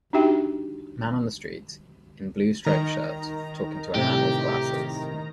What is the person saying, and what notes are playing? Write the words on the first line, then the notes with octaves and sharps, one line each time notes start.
Man on the street, in blue striped shirt, talking to a man with glasses.
D4 D#4 F#4 G4 E5 G5
D#3 A#5
A2 C3 G4